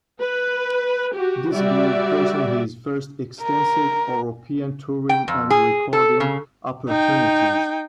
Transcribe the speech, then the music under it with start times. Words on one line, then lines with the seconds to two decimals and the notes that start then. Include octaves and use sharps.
This gave Person his first extensive European touring and recording opportunities.
0.20 B4
1.15 F#4 G4
1.54 G3 F#4 D5 E5
3.42 A#4
5.09 G5
5.28 F2
5.50 G#4
5.93 A4
6.20 C#3
6.88 D#4 G5